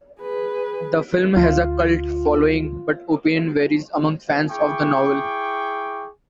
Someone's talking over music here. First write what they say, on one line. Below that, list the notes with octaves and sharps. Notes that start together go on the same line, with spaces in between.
The film has a cult following but opinion varies among fans of the novel.
G#4 B4
D2 F4
E4 G#4 G5 C#6 D6